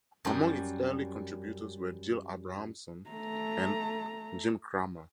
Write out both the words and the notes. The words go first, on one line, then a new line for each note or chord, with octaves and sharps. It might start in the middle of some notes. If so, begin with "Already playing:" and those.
Among its early contributors were Jill Abramson and Jim Cramer.
F#2 G3
A3 A#5